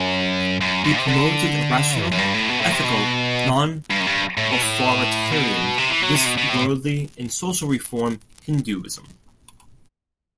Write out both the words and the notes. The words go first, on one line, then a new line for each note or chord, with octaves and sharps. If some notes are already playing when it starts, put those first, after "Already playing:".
He promoted a rational, ethical, non-authoritarian, this-worldly, and social-reform Hinduism.
Already playing: F#2
F#2
F#2
C3
D3
F#2
F#2
G2
A2
B2
A2
C3
B2
G2
F#2
G2
A2
B2
A2
B2
C3
E3
F#3
C3
B2
B2
A2